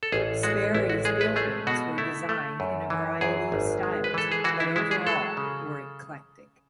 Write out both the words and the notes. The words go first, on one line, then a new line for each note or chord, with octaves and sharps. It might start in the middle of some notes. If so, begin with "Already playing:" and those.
Sperry's buildings were designed in a variety of styles, but overall were eclectic.
A4
A1 G#4
G#3 F#4
A1 E4
F#4
G#3 G#4
B4
A3 G#4
B2 F#4
A3 E4
A3
F#2
E3
F#2 G#4
G#1
G#3
B4
E3 A4
G#4
E3 F#4
E4
G#3 E4
G#4
F#3 A4
C#3